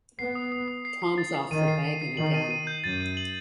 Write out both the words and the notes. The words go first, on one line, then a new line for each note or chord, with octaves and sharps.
Tom's off the wagon again.
B3 C7
D#6
D#6
D#6
C7
C7
A6
C7
D#3 D#7
C7
C7
C7
D#3 F#7
D#7
D#7
G6
F#2 A6
D#7
F#7